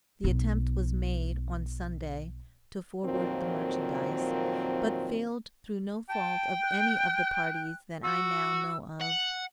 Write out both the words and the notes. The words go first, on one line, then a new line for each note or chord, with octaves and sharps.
The attempt was made on Sunday to forward the merchandize, but failed through no fault of any of the parties that I now know of.
B1 D#4
F2 A#2 D#3 F#3 C4
G5 A5
F#6
F#4 E6
F#5